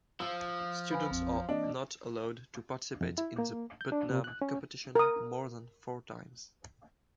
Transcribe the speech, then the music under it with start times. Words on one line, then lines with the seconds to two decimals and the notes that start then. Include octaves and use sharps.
Students are not allowed to participate in the Putnam Competition more than four times.
0.20 F3 E6
0.91 B4 F5 G#5 B5
1.11 A1 F2 C4
1.49 E3 A#3 C4 D4 D#5
3.01 F2
3.18 E4
3.38 A#3
3.81 G6
3.92 D4
4.10 C3
4.24 F#6
4.42 C#4
4.95 A#4 D#6